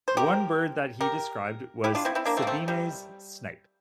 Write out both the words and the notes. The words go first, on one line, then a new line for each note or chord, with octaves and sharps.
One bird that he described was "Sabine's snipe".
C5
G4 A#4
G4 A#4
E4 G4
D4 F4
C4 E4
C4 E4
A#3 D4
A3 C4
A#3
A3 C4
G3